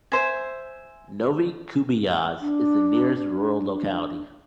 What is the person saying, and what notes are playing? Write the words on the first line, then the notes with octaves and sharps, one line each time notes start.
Novy Kubiyaz is the nearest rural locality.
C5 E5 G#5
D4
D4